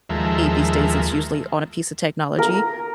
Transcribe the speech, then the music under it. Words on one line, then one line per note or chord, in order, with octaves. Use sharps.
these days, it's usually on a piece of technology,
D#2 F3 G#3 A4 A#4 E5
A#4